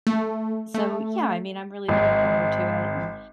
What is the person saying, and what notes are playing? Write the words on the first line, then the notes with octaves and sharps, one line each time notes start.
so, yeah, I mean, I'm really looking forward to it and,
A3
A3
G#1